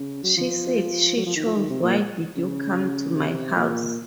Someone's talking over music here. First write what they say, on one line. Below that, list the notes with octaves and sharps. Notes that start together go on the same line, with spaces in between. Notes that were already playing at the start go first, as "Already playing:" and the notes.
She said she chose Why Did You Come to My House?
Already playing: C#3
F#3
F3
F#3
F3
D#3
F3
D#3
C3
A#2
C#3
C3
A#2